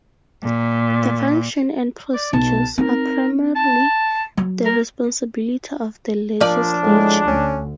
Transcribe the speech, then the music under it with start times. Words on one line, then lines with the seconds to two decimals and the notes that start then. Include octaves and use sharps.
The function and procedures are primarily the responsibility of the legislature.
0.42 A#2
2.14 D5
2.33 B1 A5
2.78 C4 D#4 A#4
3.56 A5
4.37 F#3
4.65 A#4
6.40 A#2 F3 D4 D5
6.83 A2 G#3
7.27 D2 C#4